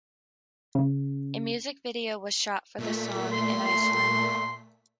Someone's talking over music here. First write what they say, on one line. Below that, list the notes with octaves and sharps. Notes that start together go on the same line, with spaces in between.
A music video was shot for the song in Iceland.
C#3
A#2 A3 B6
C6